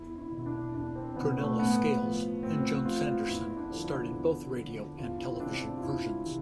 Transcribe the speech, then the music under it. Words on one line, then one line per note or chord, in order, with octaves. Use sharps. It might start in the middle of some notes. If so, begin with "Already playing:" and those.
Prunella Scales and Joan Sanderson starred in both radio and television versions.
Already playing: E2 E4
E4
B2
E4
D4
E2 D4
C4
B2 B3
A3
A2 B3
F3
A2 C4
F3 F4
E2 E4
D4
D3 F3
E4
E2
D3 F3
E2 F4
E4
C4
C3 E3 D4
D4
F4
E2 E4
C3 E3